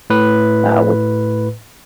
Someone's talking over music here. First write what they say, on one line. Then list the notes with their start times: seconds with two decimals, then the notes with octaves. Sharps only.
uh, when
0.10 A2 B4